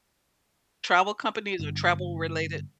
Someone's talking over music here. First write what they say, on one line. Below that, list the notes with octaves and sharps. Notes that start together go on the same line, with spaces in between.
travel companies or travel-related?
G1